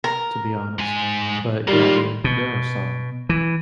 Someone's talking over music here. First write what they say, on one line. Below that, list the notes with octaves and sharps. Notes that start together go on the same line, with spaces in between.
to be honest. But, yeah, there there are some.
A#4
G#2 G#5
D#3 G3 A#3 F4
B2
E3